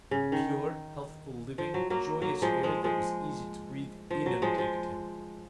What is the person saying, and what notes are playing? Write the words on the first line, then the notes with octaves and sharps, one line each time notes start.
The pure, healthful, living, joyous air that was easy to breathe inundated him.
C#3
D#3
F3
F#3
F#3 A#3
F#3 A#3
F3 G#3
F3 G#3
F3 G#3
F3
F#3
F3 G#3
F3